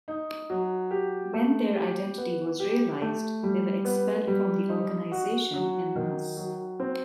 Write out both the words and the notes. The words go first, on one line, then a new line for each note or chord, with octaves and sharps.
When their identity was realised they were expelled from the organisation "en masse".
D#4
F#3
G4
A3
G4
B3
G4
A3
G3
B3
G3
D#4
F#4
F#3
D#3
F#3
C4